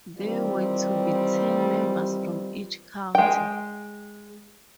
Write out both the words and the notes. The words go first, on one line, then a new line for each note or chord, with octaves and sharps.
There were to be ten members from each County.
D#3 E3 G3 C4 F4
G#3 G5